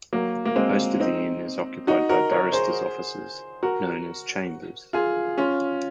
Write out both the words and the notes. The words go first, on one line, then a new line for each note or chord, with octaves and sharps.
Most of the Inn is occupied by barristers' offices, known as chambers.
F#3 A#3
A#3
G#3 C4
C4 D#4
D#4 F#4
F#4 A#4
A#4 C#5
G#4 C5
F#4 A#4
F4 G#4
C#4 F4